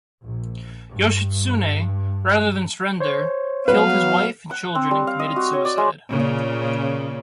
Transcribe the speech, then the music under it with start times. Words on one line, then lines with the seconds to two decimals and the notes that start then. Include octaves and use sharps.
Yoshitsune, rather than surrender, killed his wife and children and committed suicide.
0.24 A#1
0.90 G2
3.00 C5 C#5
3.68 F#3 B3 B4 F5
4.51 F#5
4.75 C4
4.91 G3
5.07 F5
5.19 D#5
5.36 F#4
5.53 C#5
5.65 D5
5.78 G#3
6.10 A#2 C#3